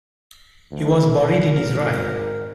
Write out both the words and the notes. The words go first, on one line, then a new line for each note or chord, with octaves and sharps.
He was buried in Israel.
D2
G#1 A#4